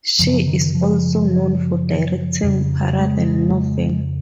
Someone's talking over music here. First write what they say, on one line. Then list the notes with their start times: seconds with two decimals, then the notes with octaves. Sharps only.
She is also known for directing "Parallel Novel".
0.19 F#2 C#3 F3
0.33 F3
0.47 D#3
0.61 D#3
0.75 F3
2.43 F2 C#3
2.99 G#3